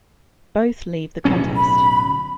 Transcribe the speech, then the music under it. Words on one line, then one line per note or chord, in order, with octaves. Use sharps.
Both leave the contest.
D1 B1 C#4
B5